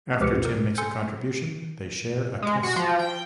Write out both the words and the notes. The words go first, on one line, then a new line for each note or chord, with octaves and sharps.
After Tim makes a contribution, they share a kiss.
C#2 F3 G4 B4 F6 C#7
F#2 A#2
A#4 F6
A4 G#5 C6 G6 C#7
G#3
F#4
F3
G5